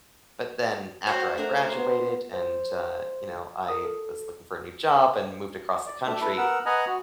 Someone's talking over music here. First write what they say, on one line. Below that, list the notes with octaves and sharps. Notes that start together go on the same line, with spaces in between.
but then after I graduated, and, uh, you know, I was looking for a new job, and moved across the country,
F#4 C5 C#5 G5
A3 D4 F#4 A#4
B3
C5
A#4 D#6
A4
D5
A3 D4 E5
E4 A4 B4
B3 A#4 F#5 E6
B4 D#5 F#5 G#5 A#5
F#4